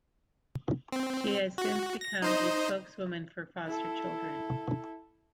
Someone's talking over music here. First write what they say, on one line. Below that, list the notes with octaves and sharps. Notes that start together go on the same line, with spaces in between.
She has since become a spokeswoman for foster children.
C4
F#4
A#6
D#4 C5 D#5
E4 A4